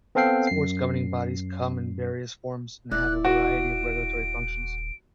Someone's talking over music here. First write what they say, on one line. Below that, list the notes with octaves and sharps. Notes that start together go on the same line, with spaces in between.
Sports governing bodies come in various forms, and have a variety of regulatory functions.
B3 C4 A4 F5 G5 C7
F#2 C7
D#1 E4 D5 F#6
F#4 D7